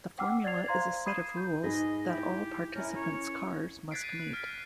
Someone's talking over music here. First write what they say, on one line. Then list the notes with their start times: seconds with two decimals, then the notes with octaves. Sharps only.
The formula is a set of rules that all participants' cars must meet.
0.19 F#5 G5 D6 E6 F6
0.44 D5 G#6 A6 C7 F7
0.68 C5 F5 A#5 C6 G#6
1.06 B5 D#6 G#6 C7 D#7 E7
1.37 G6
1.64 G#2 G#4 B4 D#5
2.09 E4 G4
2.75 C#4 E4 A#4
2.95 A#4 C#5
3.91 F#6 G#6 A6 B6 C7 D7
4.04 D#7
4.33 F6 B6